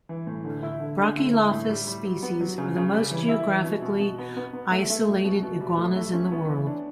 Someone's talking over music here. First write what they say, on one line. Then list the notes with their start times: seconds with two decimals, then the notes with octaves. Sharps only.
"Brachylophus" species are the most geographically isolated iguanas in the world.
0.09 E3
0.27 A2
0.44 D3
0.63 E4
0.80 D3
0.98 D3
1.16 A3
1.33 E4
1.51 A2
1.69 G3
1.87 G3
2.05 F#3
2.22 B3
2.41 F#3
2.58 C#3
2.76 C#3
2.94 G3
3.11 E3
3.29 E4
3.47 E3
3.64 B2
3.82 B2
4.00 B2
4.18 B3
4.37 B3
4.53 B3
4.72 A3
4.90 A3
5.07 F#3
5.24 B2
5.43 B2
5.61 G3
5.78 A3
5.96 A3
6.13 C#4
6.31 B3
6.49 E3
6.67 D4